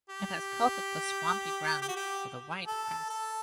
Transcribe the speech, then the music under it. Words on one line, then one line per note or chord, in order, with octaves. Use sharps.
It has coated the swampy ground with a white crust.
G4
G4
F#4
G4
A4
A4